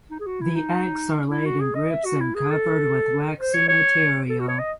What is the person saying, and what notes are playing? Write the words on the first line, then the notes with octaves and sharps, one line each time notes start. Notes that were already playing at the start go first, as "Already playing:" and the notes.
The eggs are laid in groups and covered with waxy material.
D#4
G#4
F#4
E4
D#4
E4
F#4
G#4
D#5
E5
F#4
E4
G#4
A4
C5
C#5
C#5
A4
F#4
C#5
D#5